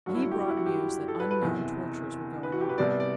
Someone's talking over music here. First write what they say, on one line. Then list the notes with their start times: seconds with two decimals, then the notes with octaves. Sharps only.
He brought news that unknown tortures were going on.
0.06 G1 G2 F#3 F#4
0.15 E4
0.23 F#4
0.31 G4
0.40 F#4
0.48 E4
0.57 F#4
0.66 G4
1.08 A4
1.20 B4
1.31 B4
1.42 F#1 E2 C3 E3
2.43 B4
2.52 F#4
2.61 G4
2.69 B4
2.78 C2 C3 G3 B3 D5
2.89 D5
3.00 D5